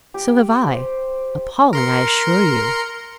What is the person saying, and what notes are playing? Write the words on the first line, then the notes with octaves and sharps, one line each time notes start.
So have I. Appalling, I assure you.
G4
C5
A#4 C6 C#7